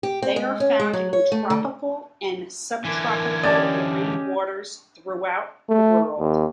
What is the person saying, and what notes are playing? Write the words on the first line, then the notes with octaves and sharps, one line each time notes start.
They are found in tropical and subtropical marine waters throughout the world.
G4
C4
G#3
C#4
G#3
F#3
C#5
A3
D3
D3 E3 A#4 D6 G#6
C#4 G4 D5 D#5 A5
A3
D#2